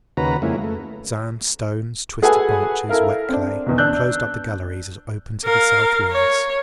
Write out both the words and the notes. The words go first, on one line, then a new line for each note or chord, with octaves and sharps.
Sand, stones, twisted branches, wet clay, closed up the galleries open to the south winds.
D#2 C#3 F#4 B4 A#5
F2 G#3 A#3 C#4 E4
A3
F#4 G#4 A4 B4 F#5 G#5
E4 A4 A#4 F5
C4 D4
B1 E2
D4 E6 F#6 G6
A#4 F5
C#5